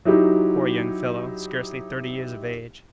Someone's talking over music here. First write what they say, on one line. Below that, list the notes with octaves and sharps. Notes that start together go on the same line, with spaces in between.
"Poor young fellow--scarcely thirty years of age!"
F#3 D#4 E4 G4